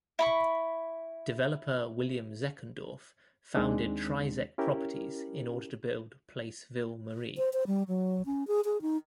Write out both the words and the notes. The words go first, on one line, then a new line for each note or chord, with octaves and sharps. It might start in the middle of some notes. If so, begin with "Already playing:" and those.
Developer William Zeckendorf founded Trizec Properties in order to build Place Ville Marie.
E4 B5 C#6
D#2 D#3 G#3 C4 D4 D#4
C#4 E4 G4 A#4
C5
C5
G3
F#3
C#4
G#4
G#4
D#4